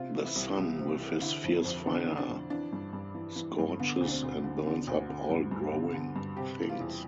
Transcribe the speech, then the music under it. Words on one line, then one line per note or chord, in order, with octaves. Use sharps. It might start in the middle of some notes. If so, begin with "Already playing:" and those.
The sun, with his fierce fire, scorches and burns up all growing things.
Already playing: C3 F4
E3
E4
C2
C2
C3
E3
D3 E4
F2
F2
D3 D4
D3
D4
F2
E3 D4
G2
G2
E3
E3
G2
D3 B3
D2 C4
D4
C4
D2
D3
D3
D2
D3
G2
G2
D3
D3
G2
C3 G4
E3
F4
E2